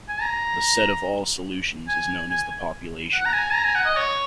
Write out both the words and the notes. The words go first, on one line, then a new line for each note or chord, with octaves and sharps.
The set of all solutions is known as the "population".
G#5
A#5
G#5
G#5
F#5
A#5
G#5
A#5
G#5
F#5
D#5
C#5